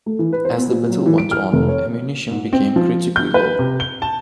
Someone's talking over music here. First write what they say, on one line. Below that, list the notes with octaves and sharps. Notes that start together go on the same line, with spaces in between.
As the battle went on, ammunition became critically low.
A3
E3
B4
C5
B3
A#2
F#3
E3
D7
F6
F1
C#5
G#2
C4
F3
G6
B4
C3
G7
A5